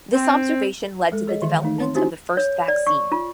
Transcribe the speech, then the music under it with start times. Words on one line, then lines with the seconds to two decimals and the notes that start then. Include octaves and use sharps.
This observation led to the development of the first vaccine.
0.13 C4
1.12 G#3 A4
1.27 G#4 C#5 D#5
1.42 D#3 E3 E5
1.63 A3 D#4
1.78 C4 C#5 C6
1.95 C#4 D#4 E4 F#4 G4 C5
2.37 C#5
2.68 D5
2.87 C#6
3.12 F4